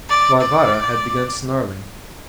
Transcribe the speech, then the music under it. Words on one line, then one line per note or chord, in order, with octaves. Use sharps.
Varvara had begun snarling.
D5
D5